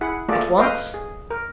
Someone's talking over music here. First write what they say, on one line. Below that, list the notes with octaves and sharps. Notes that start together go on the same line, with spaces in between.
"At once?"
E4 G#4 F#5
A3 A#3 F4 G#4 A4 D5
A4 B4 D#5 F5 G5
G#4
A#4